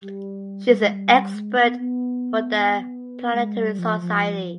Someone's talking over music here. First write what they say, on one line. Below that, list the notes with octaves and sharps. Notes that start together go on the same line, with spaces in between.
She is an expert for The Planetary Society.
G3
G3
G#3
G3
G#3
B3
B3
G#3
G3
F3
F3